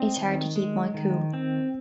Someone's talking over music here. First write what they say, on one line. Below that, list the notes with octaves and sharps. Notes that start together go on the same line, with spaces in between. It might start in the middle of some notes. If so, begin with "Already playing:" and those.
It's hard to keep my cool.
Already playing: C4 D#5
D#3
G#3
D#3
C4